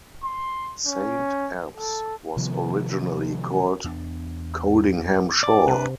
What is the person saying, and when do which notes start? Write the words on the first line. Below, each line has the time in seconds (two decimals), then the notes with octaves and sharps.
Saint Abbs was originally called Coldingham Shore.
0.24 C6
0.87 C#4
1.77 A4
2.37 C3 D#3 F3 B3
3.84 E2 B3 D4
5.43 D5 D6
5.68 C3 D4 B4